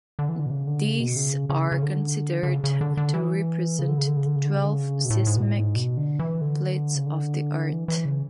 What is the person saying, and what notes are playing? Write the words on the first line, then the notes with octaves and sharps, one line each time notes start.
These are considered to represent the twelve seismic plates of the Earth.
D3
E3
D3
B2
C#3
D3
C#3
B2
C#3
C#3
C#3
D3
D3
C#3
C#3
D3
D3
E3
C#3
D3
C#3
D3
C#3
D3
C#3
D3
C#3
D3
C#3
B2
A2
G#2
B2
A2
G#2
B2
D3
E3
D3
C#3
D3
E3
E3
C#3